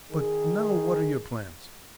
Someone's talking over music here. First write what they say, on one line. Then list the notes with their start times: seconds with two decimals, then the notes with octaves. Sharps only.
But now what are your plans?
0.12 D#3 G#4